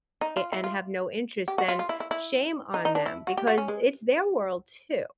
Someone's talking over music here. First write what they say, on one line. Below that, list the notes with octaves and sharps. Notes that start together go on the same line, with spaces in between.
and have no interest then, shame on them, because it's their world too.
D#4
F4
E4
F4
G4
F#4
F4
F4
E4
E4
E4
D#4
D#4
D4
E4
F#4
G4
F#4
C#4
G#3